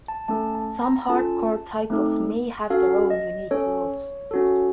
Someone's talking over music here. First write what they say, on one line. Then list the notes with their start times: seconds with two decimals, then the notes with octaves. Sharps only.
Some hardcore titles may have their own unique rules.
0.08 A5
0.28 A3 C#4 A4 A5
0.55 A5
0.82 A#5
1.09 C#4 F4 A4 A5
1.90 A3 C4 D#4 A4
2.70 C#4 F#4 A4 F5
3.10 D#5
3.51 C#4 A4 C#5
4.31 C#4 F#4 A4